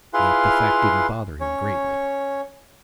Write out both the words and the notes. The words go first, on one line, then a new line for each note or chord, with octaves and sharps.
Yet the fact didn't bother him greatly.
E4 F4 G#4 B4 F5 C6
C#4 C#5